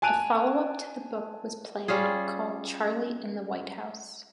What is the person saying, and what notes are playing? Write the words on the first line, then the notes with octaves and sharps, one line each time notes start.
A follow-up to the book was planned, called "Charlie in the White House".
G#5 A5 F#6 D7 D#7 F7
G3 C#4 F4 G#4